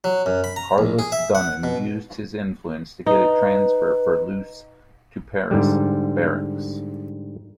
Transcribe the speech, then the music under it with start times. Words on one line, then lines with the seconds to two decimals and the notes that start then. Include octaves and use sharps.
Carolus-Duran used his influence to get a transfer for Luce to Paris barracks.
0.04 F#3
0.26 F#2
0.44 B5
0.56 A#5
0.78 A#1
0.99 G#4
1.12 E5
1.35 F#5
1.64 B2
3.06 D#4 B4
5.51 G#2 D3 G3